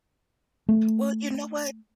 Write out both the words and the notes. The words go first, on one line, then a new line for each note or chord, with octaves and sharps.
Well, you know what?
A3